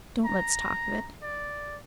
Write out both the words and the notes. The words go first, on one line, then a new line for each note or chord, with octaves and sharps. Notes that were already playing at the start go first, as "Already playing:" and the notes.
Don't let's talk of it.
A#5
D5